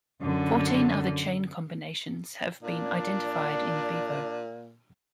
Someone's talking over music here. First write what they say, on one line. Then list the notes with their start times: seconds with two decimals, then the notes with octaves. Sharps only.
Fourteen other chain combinations have been identified in vivo.
0.22 F#2 D3
2.63 A#2 D4